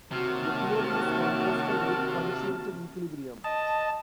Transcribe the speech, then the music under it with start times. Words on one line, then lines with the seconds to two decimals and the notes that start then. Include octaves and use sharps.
The theory is contrasted with punctuated equilibrium.
0.12 C3 D#3 A#3 F#4 C#5 A5 F6
3.44 D#5 A5